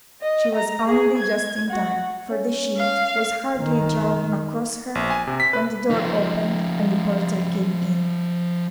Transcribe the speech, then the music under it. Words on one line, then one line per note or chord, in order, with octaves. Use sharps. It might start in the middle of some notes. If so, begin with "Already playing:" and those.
She was only just in time, for the sheet was hardly drawn across her when the door opened and the porter came in.
D#5
A#5
G#4
G#6
F#4
C#4
F5
D#3
A#1
G#5
C3
B6
B4
F3 D#4